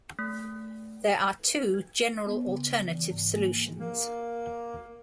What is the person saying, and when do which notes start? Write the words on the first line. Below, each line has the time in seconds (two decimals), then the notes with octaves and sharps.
There are two general alternative solutions.
0.19 A3
1.74 G#6
2.27 B3
2.47 C#3
2.89 E3
3.11 G#2
3.36 A#3
3.80 A#3